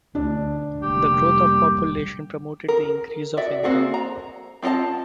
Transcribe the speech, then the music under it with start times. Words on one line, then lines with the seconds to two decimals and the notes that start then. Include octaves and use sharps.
The growth of population promoted the increase of income.
0.15 D2 D4
0.83 F1 G3 A#3 G4
2.68 A#4
3.37 F#4 D5 E5
3.63 A#3 C4 F#4 G#4
3.94 A#5
4.62 C4 F4 A4 D#5 A5